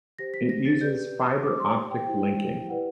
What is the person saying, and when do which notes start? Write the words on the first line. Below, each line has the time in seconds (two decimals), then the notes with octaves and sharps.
It uses fiber optic linking.
0.19 G4 C5 A#6
0.34 B6
0.49 A#6
0.65 A6
0.81 G4 B4 D5 G6
1.43 D#4 G4 C5 D6
1.60 C6
1.91 G5
2.06 E4 G4 C5
2.69 E4 G4 B4 D5 F#5